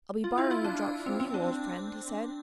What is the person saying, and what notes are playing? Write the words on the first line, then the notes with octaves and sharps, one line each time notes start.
"I'll be borrowing a drop from you, old friend," he said.
F4
E4
F4
D4
C4
C4
D4